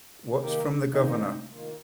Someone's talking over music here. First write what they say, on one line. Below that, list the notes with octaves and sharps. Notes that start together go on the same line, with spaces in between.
What's from the Governor?
D#3 A#3 D#4 G4 A#4
D#3 A#3 C4 D#4 F4
D#3 A#3 F4